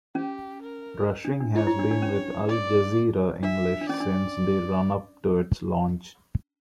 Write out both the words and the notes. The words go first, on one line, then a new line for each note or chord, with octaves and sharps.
Rushing has been with Al Jazeera English since the run-up to its launch.
C#4 G4
A#4
D4
D4
E4 C#5
E4
D4
D4
C#4
D5
D4 E5
D4
C#4 D5
D4